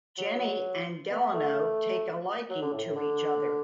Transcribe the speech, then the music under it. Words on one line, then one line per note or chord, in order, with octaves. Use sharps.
Jenny and Delano take a liking to each other.
F#3
B3
A3
F#3
D3
A2
A2
D3